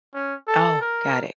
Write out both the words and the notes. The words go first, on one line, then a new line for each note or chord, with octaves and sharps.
Oh, got it,
C#4
A4
A#4